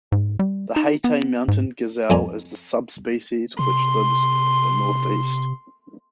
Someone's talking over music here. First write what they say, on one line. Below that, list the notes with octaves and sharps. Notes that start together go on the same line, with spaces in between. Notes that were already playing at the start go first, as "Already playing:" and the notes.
The Hatay mountain gazelle is the subspecies which lives the northeast.
G#2
G3
D#4
B3
G#2
F2 G#5 A#5
C3 C6